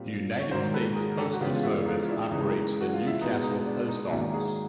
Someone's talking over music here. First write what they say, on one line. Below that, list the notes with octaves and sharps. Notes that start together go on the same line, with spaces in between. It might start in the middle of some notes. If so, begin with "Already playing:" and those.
The United States Postal Service operates the Newcastle Post Office.
Already playing: A#2 G3 C4
C#5
G#2 D#3 F#3 A#4 C5
A4 B4
G#4 A#4
A#4
G4 A4
F#4
C#3 E3 G#3 B3 F4 G4
F4
E4 F#4
D#4 F4
F4
D4 E4
E2 C#3 E3 G#3 D#4
F#4
F4
E4
B2 G#3 B3 D#4
D#4
D4
D#4
G#2 D#3 F#3 A#3 D4 E4
F#4 G#4